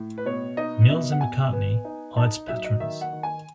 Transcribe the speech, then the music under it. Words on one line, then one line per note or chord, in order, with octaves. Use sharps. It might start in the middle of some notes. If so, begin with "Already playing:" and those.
Mills and McCartney are its patrons.
Already playing: A2
B4
B2 C#5
D#4 D#5
B2 E5
F#5
B2 G#5
B3
D#4
D#4 A5
F#3 E5
D#5
D#3 E5
F#5
D#3
G#5